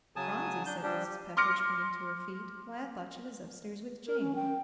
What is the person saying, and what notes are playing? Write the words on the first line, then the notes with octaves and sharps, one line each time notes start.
"Phronsie!" said Mrs. Pepper, springing to her feet, "why, I thought she was up-stairs with Jane."
C#3 F#3 G#5 A5 D#6
D4 G6
F3 G3 D4 G4
C6 D6 F6 A#6 C#7
A#4
C#4
G5